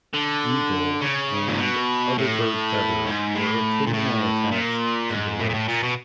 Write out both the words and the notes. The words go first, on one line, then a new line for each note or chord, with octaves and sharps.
Eagle and other bird feathers were occasionally attached to the roach.
D3
C#3
A#2
B2
A2
G#2
A2
A#2
A2
A#2
G#2
A2
A#2
A2
A#2
B2